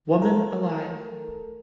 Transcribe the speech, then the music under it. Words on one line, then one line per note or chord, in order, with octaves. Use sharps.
Woman Alive!
A3 A4 A#4